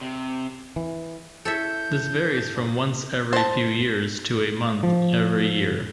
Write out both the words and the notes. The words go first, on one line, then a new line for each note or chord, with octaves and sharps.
This varies from once every few years to a month every year.
C3
E3
E4 A4 C#5 E5 A5 G6 C#7
C5 A5
F3